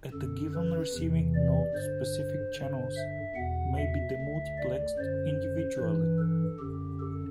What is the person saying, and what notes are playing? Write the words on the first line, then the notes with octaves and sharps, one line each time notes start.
At a given receiving node, specific channels may be demultiplexed individually.
F#2 D3 A4
B4
E2 C3 E3
D5
G2 D3 C5
G2 D3 C5
E5
E2 B2 F#5
E5
D2 D3
D5
F#2 D3 C5
G2 E3 B4
A4
F#2 D3 G4
A4